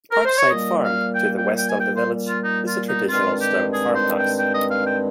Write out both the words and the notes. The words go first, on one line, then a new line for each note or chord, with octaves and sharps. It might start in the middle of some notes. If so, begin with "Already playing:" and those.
Parkside Farm to the west of the village is a traditional stone farmhouse.
A#4
C5
C#5
A#2 G3 A#3 D#5
F5
G5
G5
G5
G#5
G5
C5
F4
D#4
F4
D#4
G2 D#3 G#3 C4 F4
G4
G#4
C5
G5
G5
D#5
F5
G5